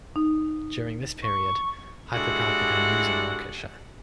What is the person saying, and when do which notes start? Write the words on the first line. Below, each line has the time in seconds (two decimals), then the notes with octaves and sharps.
During this period, HyperCard began losing market share.
0.16 D#4
1.23 C#6
2.15 G#3 D4 E4 F#4 G4 A4